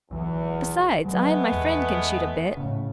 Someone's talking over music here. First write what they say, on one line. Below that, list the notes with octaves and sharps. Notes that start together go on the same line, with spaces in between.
Besides, I and my friend can shoot a bit.'
B1 E2 E3
F#3 G#3 A3 B3
E2
A2 C#3